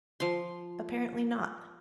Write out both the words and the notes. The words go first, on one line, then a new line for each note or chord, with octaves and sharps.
Apparently not.
F3 C6